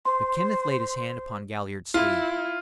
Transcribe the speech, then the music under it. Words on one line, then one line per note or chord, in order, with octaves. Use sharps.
But Kenneth laid his hand upon Galliard's sleeve.
C5 C6
E4 F4